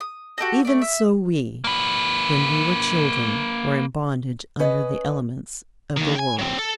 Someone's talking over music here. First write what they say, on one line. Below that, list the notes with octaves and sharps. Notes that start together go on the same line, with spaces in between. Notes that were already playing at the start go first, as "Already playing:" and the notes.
Even so we, when we were children, were in bondage under the elements of the world.
D#6
F#4 G4 A4 D#5
A3 D5
E5
A#3 B4
C#4 B4 D#5
D#2 D#3
G5 G#5
F#3 C4
A4